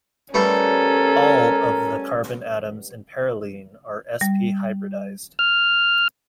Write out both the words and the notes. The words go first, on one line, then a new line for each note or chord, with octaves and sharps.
All of the carbon atoms in perylene are sp hybridized.
G3 A3 B3 C#4 A4 A#4
G3
F6